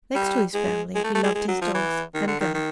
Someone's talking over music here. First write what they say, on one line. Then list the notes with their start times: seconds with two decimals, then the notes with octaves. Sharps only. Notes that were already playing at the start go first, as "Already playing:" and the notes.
Next to his family he loved his dogs and gun.
0.15 G3
0.54 G#3
0.95 G#3
1.04 A3
1.15 A3
1.24 G#3
1.35 G#3
1.48 F#3
1.62 F3
1.74 E3
2.14 D#3
2.27 D3
2.41 D#3
2.54 D#3